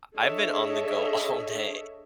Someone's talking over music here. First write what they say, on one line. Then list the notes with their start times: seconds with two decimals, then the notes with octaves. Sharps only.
I've been on the go all day,
0.17 D4 G#4 A4 C#5 D#5 E5